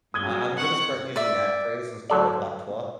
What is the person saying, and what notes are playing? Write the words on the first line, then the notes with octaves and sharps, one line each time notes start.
I I'm gonna start using that phrase instead of Hawk Tuah.
G2 C#3 F#3 D#6 G#6 G7
C4 F#5 C#6
D5 E5
D2 F#3 A4 D5